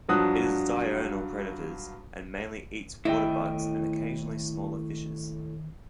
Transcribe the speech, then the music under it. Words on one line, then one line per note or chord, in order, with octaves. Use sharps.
It is a diurnal predators and mainly eats water bugs and occasionally smaller fishes.
G2 F3 F#3 D4 D#6 F#6
G1 A2 D#3 E4 D#5 E5 G5